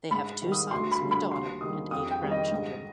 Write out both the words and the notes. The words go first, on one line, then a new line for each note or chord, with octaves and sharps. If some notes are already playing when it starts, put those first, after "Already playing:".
They have two sons, a daughter, and eight grandchildren.
G#2 B5
D#3 G3
D#6
D2 C6
B5
D3 G3
B5
D#2 C6
D#3 G3 D#6
F2 D#6
G5
D#3 G3
D#5
G#2